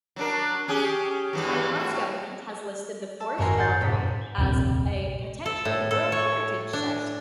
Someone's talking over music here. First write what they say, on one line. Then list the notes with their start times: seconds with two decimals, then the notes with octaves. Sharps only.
Taiwan's government has listed the forest railway as a potential World Heritage Site.
0.16 F#3 D4 A#4
0.68 C#4 G4 G#4
1.33 G2 E3 F#3
1.75 A2 F#4
3.20 A5 E6
3.38 G#1 F#2 F#4 A#4 G#5 C6
3.58 F#5 C6 G6 A6
3.81 F#1 B1 G#2 B6
4.38 D#1 A#1 F2 C3
5.46 A4
5.65 A2
5.91 A4
6.12 C#5
6.73 D4